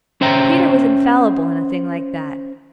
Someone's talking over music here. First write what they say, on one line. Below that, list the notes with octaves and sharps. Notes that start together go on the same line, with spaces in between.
Peter was infallible in a thing like that.
C#4 C5 E5 G5 A#5